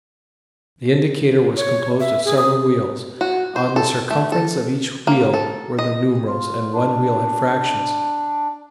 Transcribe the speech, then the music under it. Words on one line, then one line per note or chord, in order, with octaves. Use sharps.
The indicator was composed of several wheels; on the circumference of each wheel were the numerals; and one wheel had fractions.
C#5
E5
G#4
D#6
F#4
C5
A4
A3
A4
A#3
A4
D#5
F4
D4